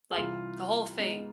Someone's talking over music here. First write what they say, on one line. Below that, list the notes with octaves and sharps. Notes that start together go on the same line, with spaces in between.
like, the whole thing,
G#4
C2 C3 E3 F4
G#2 G#3 B3